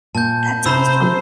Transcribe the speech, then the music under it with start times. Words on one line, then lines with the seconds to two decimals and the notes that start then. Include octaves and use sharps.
That's awesome.
0.15 A#2 A5 G6
0.66 C3 C5 A#5 B5 E6